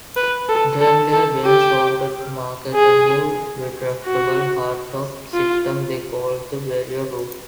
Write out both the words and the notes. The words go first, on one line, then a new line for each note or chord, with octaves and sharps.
Daimler-Benz wanted to market a new retractable hardtop system they called the "Vario-Roof".
B4
A4
A4
A4
G4
G#4
F#4
F4